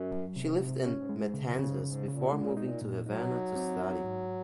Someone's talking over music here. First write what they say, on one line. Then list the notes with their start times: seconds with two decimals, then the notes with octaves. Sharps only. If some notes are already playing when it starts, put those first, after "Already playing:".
She lived in Matanzas before moving to Havana to study.
Already playing: F#2
0.11 F#3
0.29 F#2
0.36 G#2 C3
0.54 G#2
0.60 C3
0.73 F#2
0.85 F#2 C#4
0.91 G#2
1.03 F#2
1.09 G#2 G#3
1.34 F#2 C#3
1.59 G#2 C#3
1.78 F#2
1.83 G#2 C#3
2.08 A#2 C#3
2.32 A#2 G#3
2.57 A#2 D#4
2.82 A#2
3.06 F#3 D#4
3.30 D#4
3.55 C4
3.79 D#4
4.04 G#2